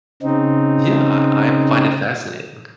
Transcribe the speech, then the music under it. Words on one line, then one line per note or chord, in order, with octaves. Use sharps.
Yeah, I I find it fascinating.
C#3 C4 D#4